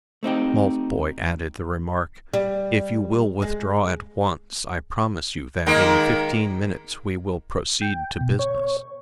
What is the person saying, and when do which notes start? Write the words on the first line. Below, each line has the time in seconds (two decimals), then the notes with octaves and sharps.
Maltboy added the remark: "If you will withdraw at once, I promise you that in fifteen minutes we will proceed to business."
0.23 A3 C4 D#4 G4
2.34 G3
3.42 G#3
5.66 D#3 G#3 A#3
7.81 G5
8.21 B2
8.39 C#5